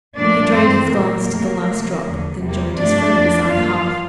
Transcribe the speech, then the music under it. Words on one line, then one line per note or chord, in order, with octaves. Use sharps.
He drained his glass to the last drop, then joined his friend beside the hearth.
A#2 F3 A3 D4 D5
G2 E3 A3 C4 C5
A#2 A3 A#3 A#4
F2 C3 F3 A3
C3 F3 A3
E2 D3 F3
E2 C3 E3 G3 A#3
G2 F3 A3 D4 D5
F2 E3 A#3
G2 F3 A#3 F4 F5